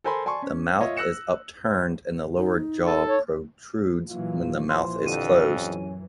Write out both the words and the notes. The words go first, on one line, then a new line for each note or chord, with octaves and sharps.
The mouth is upturned and the lower jaw protrudes when the mouth is closed.
A4 A#4 C5 G#5 B5 C6
D5 G#5 A5 C6 C#6
C#4
F4 C#5 D#5 E5
E6 F#6 A#6 C#7 E7
D#4
A4
C#5
A#2 E3 F#3 F4
A#1 E3 F3 C6
F2 D3 G4 D#7
F#2 E3 C#4